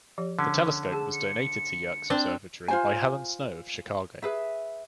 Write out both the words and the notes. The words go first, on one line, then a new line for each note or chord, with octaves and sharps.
The telescope was donated to Yerkes Observatory by Helen Snow of Chicago.
F3 G4 C#5
D3 C#4
G#4 A5
C#7
C4 D4
F4 C5 G#5
G#4 B4 E5